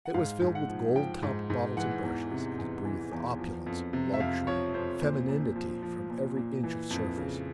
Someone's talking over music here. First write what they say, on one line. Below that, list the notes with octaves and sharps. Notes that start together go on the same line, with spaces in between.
It was filled with gold-topped bottles and brushes, and it breathed opulence, luxury, femininity from every inch of surface.
F#5
G#2 F5
G#2
F#5
F3
F3 G5
G#2
G#2
E3 F#5
E2
C3
E2
E3
E2
F3
F2
C3
E5
F2 F5
F3 C#5
F2 C5
A#2 C5
A#2
F3
F3
A#2
A#2
E3
F2
C#3